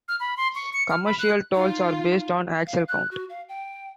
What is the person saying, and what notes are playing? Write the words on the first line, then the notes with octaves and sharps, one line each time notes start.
Commercial tolls are based on axle count.
F6
B5
C6
C#6
C#7
F6
B5
F#6
D#4 F4
F5
F#6
F#4
F5
G5